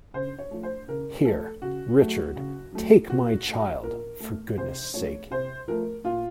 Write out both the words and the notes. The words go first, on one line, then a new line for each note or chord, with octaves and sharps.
Here, Richard, take my child, for goodness' sake.
C#3 C5
C#5
F3 A3
C5
C#3 A#4
F3 A3 A4
C#3 F#4
F#3 A3
C#3
F#3 A3
A#2 F#4
A3
A#2 A#4
A3
C3 C5
F3 A3 C#5
C3 C5
F3 A3 A#4
A#2 F4